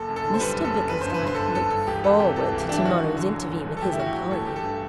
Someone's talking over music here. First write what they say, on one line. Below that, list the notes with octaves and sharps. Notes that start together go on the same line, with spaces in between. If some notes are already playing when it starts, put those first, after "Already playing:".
Mr Bickersdyke looked forward to tomorrow's interview with his employee.
Already playing: F#1 A4
F#2
A4
D3
C5
G3 B4
F#1
A4
F#2
G1 B4
C5
G2
B4
D3 C5
A4
G1 B4
G1 A4
G2 A4
E1 G4
E2 A4
C3 G4
E3 A4
E1
G4
E2 D4
E4
G1 F#4
G2
D3
F#3
G1
G2
A4
A1 G4
E4
G2 F#4
G4
F#3
A1 A4
A1 G4
A4
G2